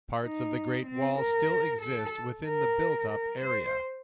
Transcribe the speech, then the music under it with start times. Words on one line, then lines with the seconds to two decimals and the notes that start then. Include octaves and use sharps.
Parts of the Great Wall still exist within the built-up area.
0.23 D#4
0.86 C4
1.19 A#4
1.82 A4
2.46 A#4
3.09 A#4
3.40 C5